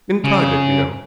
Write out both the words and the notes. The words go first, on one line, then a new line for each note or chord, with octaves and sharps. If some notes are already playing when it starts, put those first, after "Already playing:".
"In private, you know."
C#3